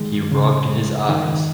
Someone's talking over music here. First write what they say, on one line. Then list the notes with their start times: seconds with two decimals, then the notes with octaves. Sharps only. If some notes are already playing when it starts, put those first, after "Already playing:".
He rubbed his eyes.
Already playing: D#3 G#3
0.31 C#3
0.69 G#3
1.09 D#3